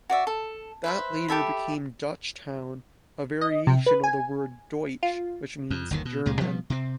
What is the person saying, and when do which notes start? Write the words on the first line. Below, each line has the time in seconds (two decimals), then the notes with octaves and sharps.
That later became Dutchtown, a variation of the word "Deutsch," which means German.
0.09 F#4 D5 E5
0.27 A4
0.84 B4 C5 E5
1.28 G4 A4 E5 B5
3.41 D#5
3.67 C3
3.86 B4
4.04 G#5
5.03 F4
5.70 F2
5.91 G1 D#2 D#3
6.05 B2
6.26 C#2 A#2 G#3
6.41 B2 F3 G3 B3
6.70 C3 C4